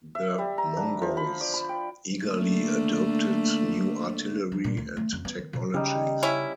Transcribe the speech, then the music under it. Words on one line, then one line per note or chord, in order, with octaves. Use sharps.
The Mongols eagerly adopted new artillery and technologies.
E5
G3
A#5
D4
F3
B5
D5
B5
G5
D3 A3 A#3
F3
A#2
D2
A3
F2
B3
D#3
B2
C#3 G3 D#4
C#4 E4